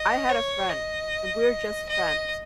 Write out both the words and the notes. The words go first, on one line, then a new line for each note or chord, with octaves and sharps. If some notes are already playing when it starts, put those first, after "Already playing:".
I had a friend, and we're just friends.
Already playing: D#5
C#5
D#5
D#5